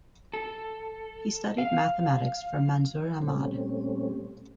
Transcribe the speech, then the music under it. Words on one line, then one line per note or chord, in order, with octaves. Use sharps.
He studied mathematics from Manzoor Ahmad.
A4
F5
A#2 G3 A3 C4 C#4